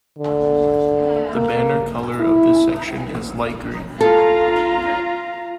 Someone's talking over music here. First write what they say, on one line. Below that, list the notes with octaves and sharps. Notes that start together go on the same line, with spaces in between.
The banner colour of this section is light green.
D3
A#3
E4
F4 A4 F5 A#5